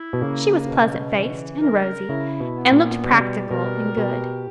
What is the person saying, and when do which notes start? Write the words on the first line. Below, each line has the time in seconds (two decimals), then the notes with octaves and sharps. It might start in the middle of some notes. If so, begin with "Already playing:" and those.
She was pleasant-faced and rosy, and looked practical and good.
Already playing: E4
0.13 B2
0.22 C#3 A#3
0.69 B2
1.15 E3
1.62 A#4
2.09 C#3 E4
2.40 B2
2.57 B3
2.72 A#2
3.03 B2 G3
3.12 C#3
3.19 B2
3.50 B2 A#4
3.97 B2 G4